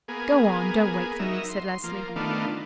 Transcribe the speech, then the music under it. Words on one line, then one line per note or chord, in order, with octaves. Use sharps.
"Go on; don't wait for me," said Leslie.
A#3 B3 G#4
F#3 D#4 A#4 E5
C6
F3 A#3
D#3 A3 B3 D4 F4